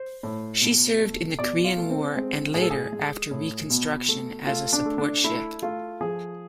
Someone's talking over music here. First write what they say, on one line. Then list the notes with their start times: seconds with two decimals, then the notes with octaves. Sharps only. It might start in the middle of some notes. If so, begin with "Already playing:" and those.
She served in the Korean War and later, after reconstruction, as a support ship.
Already playing: C5
0.23 A2
0.61 B2
1.00 A3
1.39 B2 D5
1.64 F4
1.77 A3
1.90 C4
2.15 G#3 C4
2.54 A2 G#4
2.62 A4
2.70 G#4
2.92 G#3
3.31 A2
3.70 B2
4.08 A3
4.47 A3 F4
4.73 D4
4.85 A3
4.98 D4
5.24 A3 E4
5.62 A3 F4
6.01 F3 G#4